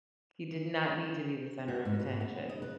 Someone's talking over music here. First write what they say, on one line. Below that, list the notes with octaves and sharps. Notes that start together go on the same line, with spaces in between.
He did not need to be the center of attention.
F#4
G#2
B4
B3
D#5
B4